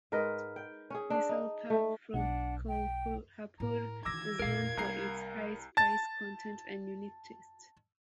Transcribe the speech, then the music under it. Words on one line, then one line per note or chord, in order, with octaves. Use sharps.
Misal pav from "Kolhapur" is known for its high spice content and unique taste.
G#2 A#4 B4 D#5
G5
C#4 G#4
D4
D#4
A3
B1 D4 F#5
G5
A2 A#4
D#3 E3 D6 E6 G#6 A#6
F2 A#2 A#4 F5
C2 G3 A#5 C7
A5 A6